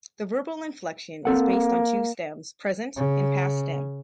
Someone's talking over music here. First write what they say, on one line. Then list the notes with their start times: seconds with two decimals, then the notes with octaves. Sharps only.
The verbal inflection is based on two stems: present and past stem.
1.25 A#3 C4 A4 F#5
2.96 C#3